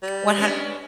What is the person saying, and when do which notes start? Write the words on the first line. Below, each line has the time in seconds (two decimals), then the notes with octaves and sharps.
One hun
0.03 G3
0.38 B3 C#4 D4